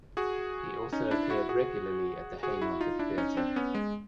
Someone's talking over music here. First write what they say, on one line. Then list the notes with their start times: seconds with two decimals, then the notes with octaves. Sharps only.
He also appeared regularly at the Haymarket Theatre.
0.17 F#4 G#4
0.92 C#4 D#4
1.11 D4 E4
1.30 E4 F#4
1.49 F#4 G#4
2.43 F#4 G#4
2.61 E4 F#4
2.81 D#4 F4
2.99 D4 E4
3.18 C#4 D#4
3.37 C4 D4
3.56 B3 C#4
3.75 G#3